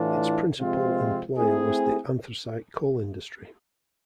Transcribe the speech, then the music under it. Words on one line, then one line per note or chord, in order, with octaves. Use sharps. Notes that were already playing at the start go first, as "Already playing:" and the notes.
Its principal employer was the anthracite coal industry.
Already playing: A2 E3 A3 D4 F4
C3 F3 G#3 C4 F4
A3 C4 E4 G#4